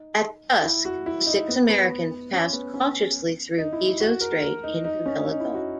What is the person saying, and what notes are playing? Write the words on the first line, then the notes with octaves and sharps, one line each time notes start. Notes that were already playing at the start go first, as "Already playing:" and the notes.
At dusk, the six Americans passed cautiously through Gizo Strait into Vella Gulf.
Already playing: D#4
E4
F#4
E4
D#4
B3
B3
C#4
B3
C#4
D#4
E4
E4
F#4
A#4
A#4
D#4
D#4
C#4
D#4
E4
F#4